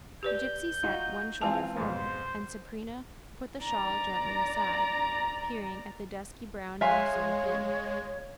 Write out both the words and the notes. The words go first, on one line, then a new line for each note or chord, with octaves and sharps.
The gipsy set one shoulder forward, and Sabrina put the shawl gently aside, peering at the dusky brown morsel within.
G4 B4 D5 G6
D#4 F4 F#4
E3 G#3 C4 F4 G#5 A5
F2 G#2 B2 C5
D5 A#5
G#3 C#5 E5 F5 G#5 C6 F#6